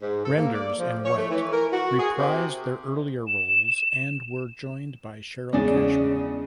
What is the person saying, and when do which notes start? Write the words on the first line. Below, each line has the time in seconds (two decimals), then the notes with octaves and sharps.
Renders and White reprised their earlier roles and were joined by Cheryl Cashman.
0.01 G#2
0.24 A4
0.37 A#3
0.53 D5
0.79 F3
1.04 C#5
1.16 A3
1.29 E3
1.51 A#4
1.72 F#4
1.98 G#4
2.18 C3
3.28 E7
5.53 E2 C#3 G#3 C#4 D4 D5